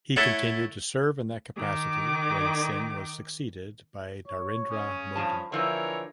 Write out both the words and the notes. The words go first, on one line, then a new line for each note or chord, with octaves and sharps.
He continued to serve in that capacity when Singh was succeeded by Narendra Modi.
A3 E4 A4 C#5 F#5
D#3 D6
C#5
C#4 D#6
G2 F3 A5
D3 E3 F3 E4 A#4 C#5